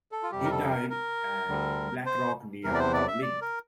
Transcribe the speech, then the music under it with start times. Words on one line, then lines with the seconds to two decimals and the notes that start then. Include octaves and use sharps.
He died at Blackrock, near Dublin.
0.12 A4
0.23 F4
0.32 F2 C3 G3 G4
0.44 A#4
0.51 A4
0.70 A#4
0.90 A#4
1.48 D2 D3 G3
2.06 C5
2.64 E2 C3 E3 A#4
2.75 D5
2.79 C5
2.94 D5
3.08 E5
3.22 D5
3.41 A#4